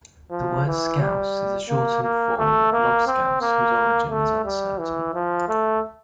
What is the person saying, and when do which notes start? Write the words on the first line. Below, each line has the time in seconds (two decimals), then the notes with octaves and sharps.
The word "scouse" is a shortened form of "lobscouse", whose origin is uncertain.
0.31 F3
0.66 E3
1.00 G3
1.69 A#3
2.03 A#3
2.38 A3
2.73 A#3
3.07 C4
3.42 A#3
4.10 A3
4.45 G3
4.79 E3
5.14 F3
5.48 A3